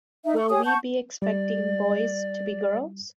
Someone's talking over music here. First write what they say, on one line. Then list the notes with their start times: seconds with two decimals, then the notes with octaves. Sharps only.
Will we be expecting boys to be girls?
0.25 D#4 E5
0.37 C#6
0.50 G4 C#5 G#5 D#6
0.64 F#5 A5 C#6 G6
1.22 G3 D5